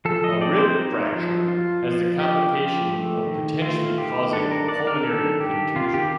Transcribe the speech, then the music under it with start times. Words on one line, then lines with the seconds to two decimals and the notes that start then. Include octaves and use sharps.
A rib fracture has the complication of potentially causing a pulmonary contusion.
0.05 F3 A4
0.24 D#5
0.41 C4 D5
0.58 C5
0.77 D#4
1.12 F3
1.48 F4
1.84 F3
2.19 F4 G4
2.55 F3
2.91 A3
3.27 D#3
3.62 A3 F4
3.98 D#3 G4
4.33 D4 A4
4.51 A#4
4.68 D4 D5
4.87 A#4
5.04 D#3 A4
5.40 D#3 G4
5.76 D#3 F4
5.94 G4